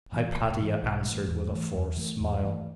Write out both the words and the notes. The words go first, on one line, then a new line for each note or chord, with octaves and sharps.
Hypatia answered with a forced smile.
A2 E3
B1
A2 E3
B1
A2 E3
E2
E3 A3
E2
E3 A3
E2
E3 A3